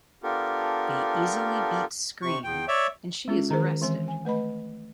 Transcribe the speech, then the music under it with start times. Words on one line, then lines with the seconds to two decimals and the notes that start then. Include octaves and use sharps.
They easily beat Scream and she is arrested.
0.23 B3 D4 F4 G4 A4 A#4
2.22 C3 C#6
2.44 E2 G5
2.68 C#5 D5 E5
3.28 G#3 C#4 F4 G#4
3.51 D#3 G#4 A#4 C5
3.82 E3 G#3 C4 C6
4.08 G#5
4.25 A3 B4 D#5 B5